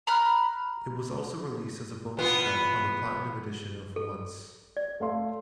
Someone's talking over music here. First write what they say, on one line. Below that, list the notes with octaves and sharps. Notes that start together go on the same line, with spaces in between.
It was also released as a bonus track on the platinum edition of "Once".
A#5 B5 F6 F#6
E2 B3 F4
A4
D5
A3 F5 C6